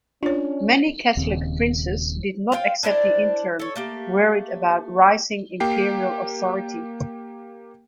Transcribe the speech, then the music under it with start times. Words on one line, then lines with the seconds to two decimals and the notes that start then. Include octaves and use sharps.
Many Catholic princes did not accept the Interim, worried about rising imperial authority.
0.23 C#4 D4 F4 C#5
1.17 D#1 D#2 C#3 C4
2.52 F4 F5 G5
2.83 D4 E4 C5 D5
3.59 A4 C#5
3.76 A3 A#3 G4
5.60 A#3 G4 G5 C7